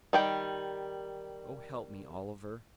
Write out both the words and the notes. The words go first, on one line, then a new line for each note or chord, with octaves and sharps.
"Oh help me, Oliver."
D#3 G3 G5